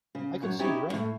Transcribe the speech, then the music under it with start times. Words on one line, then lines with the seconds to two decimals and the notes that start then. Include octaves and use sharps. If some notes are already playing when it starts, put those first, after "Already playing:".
I could see rain.
0.15 C#3
0.42 F#2 F#3 C#5
0.59 C#4 D#4 E4 G4 C#5 D5
0.89 D#2 A2 A3